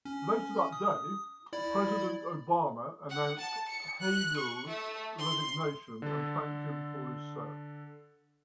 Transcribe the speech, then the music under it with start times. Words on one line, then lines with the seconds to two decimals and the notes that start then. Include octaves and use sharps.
Later that day, President Obama announced Hagel's resignation and thanked him for his service.
0.05 C#4
0.73 D#6
1.53 E4 D5 B5
3.10 F#5
3.39 A5
3.68 C#7
4.01 F#6
4.37 C#6
4.67 A3
5.18 C6
6.02 D3 A4